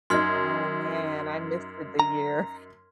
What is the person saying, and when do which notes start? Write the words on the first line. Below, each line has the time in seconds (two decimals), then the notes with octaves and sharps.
Oh man, I missed it the year.
0.10 F#2 D#4 C6 F6 G#6
2.00 A#5